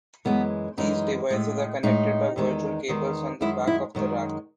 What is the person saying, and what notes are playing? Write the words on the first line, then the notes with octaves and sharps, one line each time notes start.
These devices are connected by virtual cables on the back of the rack.
F#2 E3 G#3 B3
F#2 E3 G#3 D#4
A2 G#3
A2 G#3 D#4
E2 D#3 G#3
E2 D#3 G#3
F#2 D#3 G#3 E4
E4
F#2 D#3 G#3